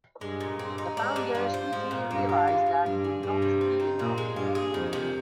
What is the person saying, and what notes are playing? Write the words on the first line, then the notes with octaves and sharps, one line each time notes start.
The founders quickly realize that would not be enough.
G2 G#3
A#2
G2 C4
D#4
G#2 D4
G3
G2 F4
C5
G#2 F3
A#2
G2 A#3
F4
G#3
F3
G2 D4
G#4
G2 G3
C3
C4
D#4
A#2 C4
G#3
G2 F4
G#4
F2 D#3
C3